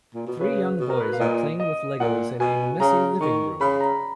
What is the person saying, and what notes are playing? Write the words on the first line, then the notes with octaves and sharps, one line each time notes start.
Three young boys are playing with Legos in a messy living room.
A#2
B2
C#3 B4
B2
A#4
B4
F5
A#2 D#5
D#5
A#2 F#5
B2 G#5
C#3 A#5
D#3 C#6
C#3 B5
A#5